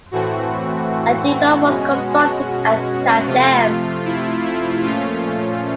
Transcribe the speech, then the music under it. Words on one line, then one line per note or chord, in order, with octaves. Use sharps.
A depot was constructed at Thatcham.
A2 E3 A3 C4 F#4
B2 G#3 C#4
C3 F3 A3 F4
E4
E4
A#2 F3 A3 C#4 F4